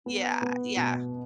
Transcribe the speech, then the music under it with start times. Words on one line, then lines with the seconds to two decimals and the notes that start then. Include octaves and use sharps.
Yeah, yeah.
0.06 B3
0.42 B3
0.77 B2